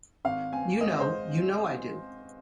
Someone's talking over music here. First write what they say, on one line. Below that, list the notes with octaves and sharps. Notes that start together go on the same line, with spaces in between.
You know, you know I do!
G#1 F5
C4 G#5
G#3 D#5
C5